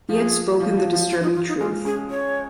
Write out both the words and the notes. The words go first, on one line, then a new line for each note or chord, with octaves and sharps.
He had spoken the disturbing truth.
F3 G#4
F3
F3
F3
F4
D#4
F4
D#4
G#3 F4
C#4 G#4
C#5